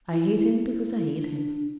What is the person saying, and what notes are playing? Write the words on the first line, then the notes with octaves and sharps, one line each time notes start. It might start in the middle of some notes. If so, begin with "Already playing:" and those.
I hate him because I hate him.
E4
E4
D4